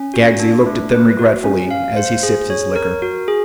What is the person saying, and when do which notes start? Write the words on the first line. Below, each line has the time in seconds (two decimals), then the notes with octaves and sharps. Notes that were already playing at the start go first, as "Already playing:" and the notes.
Skaggsy looked at them regretfully as he sipped his liquor.
Already playing: C#4
0.14 F#4
0.40 D4
0.66 A3
0.91 B4
1.19 F#4
1.44 C#4
1.71 F5
1.96 C5
2.23 G#4
2.50 C#5
2.76 A#4
3.02 F#4
3.28 G#4